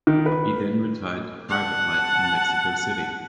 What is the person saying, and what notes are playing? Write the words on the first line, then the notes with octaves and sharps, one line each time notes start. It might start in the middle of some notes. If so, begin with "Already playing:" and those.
He then retired to private life in Mexico City.
D#3
B4
F#5 A5